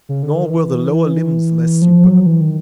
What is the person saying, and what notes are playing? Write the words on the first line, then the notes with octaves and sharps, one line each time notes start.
Nor were the lower limbs less superb.
C#3
D3
D#3
E3
F3
F#3
E3
D#3